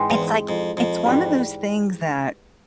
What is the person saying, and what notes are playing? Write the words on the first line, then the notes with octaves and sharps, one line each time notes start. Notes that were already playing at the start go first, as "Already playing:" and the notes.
It's like it's one of those things that,
Already playing: G#2 E3 G#3 C4
E2
F2
F2
G#2 E3 G3